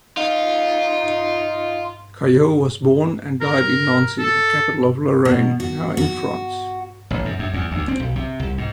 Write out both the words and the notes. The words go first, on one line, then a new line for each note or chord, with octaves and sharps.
Callot was born and died in Nancy, the capital of Lorraine, now in France.
D#4 F4
A#4
A4
B2
F#4
F#4
A1
F#2
F#2
E2
D2
C4
B1
C3
C2
G#2